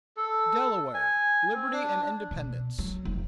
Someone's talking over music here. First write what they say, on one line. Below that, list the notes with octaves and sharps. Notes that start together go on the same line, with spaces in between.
Delaware--Liberty and Independence.
A4
G#5
C4
D4
B2
F#3
F1